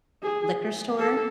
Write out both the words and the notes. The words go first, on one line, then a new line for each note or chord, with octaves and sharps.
liquor store?
G#4
A4